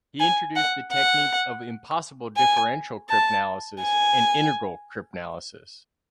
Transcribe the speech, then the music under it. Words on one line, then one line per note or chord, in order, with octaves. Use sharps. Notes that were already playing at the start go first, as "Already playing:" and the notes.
He introduced the technique of impossible differential cryptanalysis and integral cryptanalysis.
G#5
F#5
F#5
G#5
A5
G#5